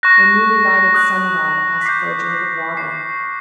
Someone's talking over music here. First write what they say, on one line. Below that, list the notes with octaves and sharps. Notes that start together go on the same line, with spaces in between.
The newly lighted sun-god asked for a drink of water.
C#6 F#6 A#6
D#6 F#6
B6
D6 G6 C7
C#6 F6 C7